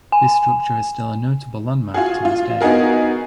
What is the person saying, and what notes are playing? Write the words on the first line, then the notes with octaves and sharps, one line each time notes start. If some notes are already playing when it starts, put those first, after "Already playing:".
This structure is still a notable landmark to this day.
G#5
F4 F#4 G#4
F4
B3 D#4 F#4 G#4 A#4